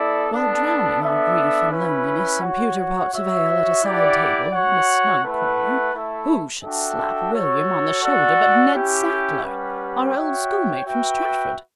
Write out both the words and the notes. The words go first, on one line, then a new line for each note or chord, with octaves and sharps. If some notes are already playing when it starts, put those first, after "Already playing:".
While drowning our grief and loneliness in pewter pots of ale at a side table, in a snug corner, who should slap William on the shoulder but Ned Sadler, our old schoolmate from Stratford.
Already playing: B3 E4 A4 D5
B3 D4 A4
B3 D4 A4 E5
C#4 E4 B4
F#4 C#5 F#5
F#4 C#5 E5
E4 G4 D5 F#5
F#4 C#5 F#5
A3 E4 B4 F#5
A3 E4 A4
D4 F#4 A4 E5 G5
F#4 A4 C#5
F#4 A4 D5 F#5
C#4 E4 G4
G3 C#4 G4 B4 F#5
F#4 C#5 E5 G5
F#4 B4 E5 G5